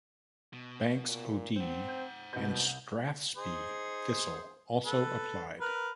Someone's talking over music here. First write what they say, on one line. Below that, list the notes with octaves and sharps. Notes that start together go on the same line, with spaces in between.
Banks O' Dee and Strathspey Thistle also applied.
B2
A#2
C4 C5 F#5
G6
C2 B2 G6
D#4 G#4 C5
A4 B4
A#4 B4